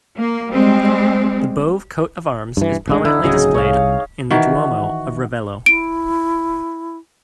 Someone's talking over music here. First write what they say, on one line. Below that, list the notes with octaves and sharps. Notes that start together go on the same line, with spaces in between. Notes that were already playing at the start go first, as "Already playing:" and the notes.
The Bove coat of arms is prominently displayed in the Duomo of Ravello.
A#3
G3 G#3 C4
G2 E3
A1 D3 G#3
D3 D#4 E4
D1 C#3 F#3 G#4 D#5
C2 C#5 F5
D#3 E3 F#4
E4 D7